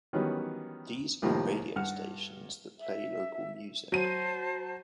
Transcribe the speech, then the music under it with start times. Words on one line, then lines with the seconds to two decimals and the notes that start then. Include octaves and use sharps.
These are radio stations that play local music.
0.13 D#3 E3 F#3 G3 B3 C#4
1.22 C2 A2 D#3 F3 G3 A#3
1.76 G2 F#5 F6
2.80 E5
3.92 F#3 C5 A5 D#7